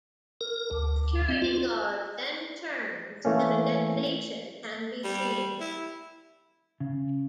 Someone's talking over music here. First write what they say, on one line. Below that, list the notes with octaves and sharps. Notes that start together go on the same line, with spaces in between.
The security guard then turns and a detonation can be seen.
A#4
D2
C4
F4
E3 A3 A#3 C#4
G3
E4
C#3